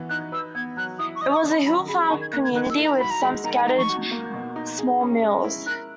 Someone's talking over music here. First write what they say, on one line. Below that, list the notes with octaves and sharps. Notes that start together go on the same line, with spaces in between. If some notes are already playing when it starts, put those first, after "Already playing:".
It was a "hill farm" community with some scattered small mills.
Already playing: E3 B3 F#4
D#4 F#6
B4 E6
B3 G#6
F#3 F#6
E4 D#6
C#6
D#5 D#6
D#6
C#6
C#4
B5
F#3 B5
G#4 B5
B5
D#3 C#6
G#6
A#3 F#6
G#6
D#3 F#6
E6
E4
A#5
F#4 B5
A#5
G#3 B5
D#3 A#5
G#5
D#4 A#5
C#6
F#4
A#3
B2
D#4
G#4
C#4
G#3
E4
A#4 F#6